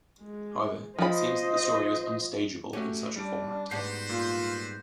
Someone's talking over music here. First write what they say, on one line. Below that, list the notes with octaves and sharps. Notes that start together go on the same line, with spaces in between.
However, it seems that the story was "unstageable" in such a format.
G#3
F3 C5 D#5 B5
A3 C#4 F#4 G4
G3 D4 D7
G#2 G3 B3 F#4 B4 C5 C7
A#2 F4